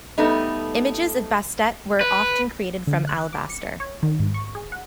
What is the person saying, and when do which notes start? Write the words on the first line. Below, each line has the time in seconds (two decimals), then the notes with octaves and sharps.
Images of Bastet were often created from alabaster.
0.18 G3 A3 B3 D#4
2.01 B4
2.87 D3
3.07 F#6
3.33 D6
3.50 C#7
3.80 C#5
4.03 D#3
4.19 G#2
4.34 C#6
4.55 G#4
4.72 F#5